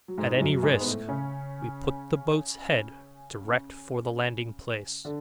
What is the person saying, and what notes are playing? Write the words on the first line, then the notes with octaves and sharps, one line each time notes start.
At any risk, we put the boat's head direct for the landing-place.
F#3
G#2 G#3
E3
F#2 F#3
G#2 G#3
B3
A2 A3
C#3 C#4
D3 D4